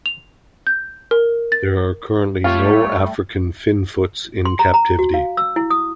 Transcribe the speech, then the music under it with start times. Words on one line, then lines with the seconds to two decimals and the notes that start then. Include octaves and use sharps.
There are currently no African finfoots in captivity.
0.06 F7
0.67 G6
1.11 A#4
1.52 A6
2.44 G3 A3 F4 C#5
4.45 C6
4.59 A#5
4.74 A#5
4.99 F#4
5.14 F5
5.37 E6
5.56 E4
5.70 D#6